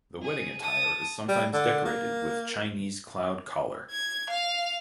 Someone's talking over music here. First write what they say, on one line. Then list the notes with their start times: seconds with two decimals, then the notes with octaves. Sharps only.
The Wedding attire is sometimes decorated with Chinese cloud collar.
0.23 G#4
0.62 A5 D#6
1.28 G3
1.53 D3
1.85 A#3
3.91 G#6
4.29 F5